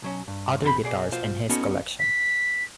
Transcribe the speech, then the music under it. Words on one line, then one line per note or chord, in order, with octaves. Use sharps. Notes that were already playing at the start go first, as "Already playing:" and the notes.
Other guitars in his collection.
B1 F#3 C#4
G2
F2 C3 A#4 B5
B2 G#4 D5
B2 F4 C5
B3 C#4 D#4 F#4 A4 C#5
B6